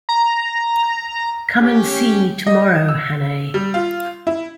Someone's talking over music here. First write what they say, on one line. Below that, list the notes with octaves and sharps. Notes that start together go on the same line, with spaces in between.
Come and see me tomorrow, Hannay.
A#5
C#4 G4
D#5
E6
G3
F4
E4